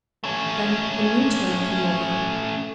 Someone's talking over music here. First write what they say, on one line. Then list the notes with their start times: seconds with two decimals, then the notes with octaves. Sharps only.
Then a new terror came over her.
0.24 A3 C#4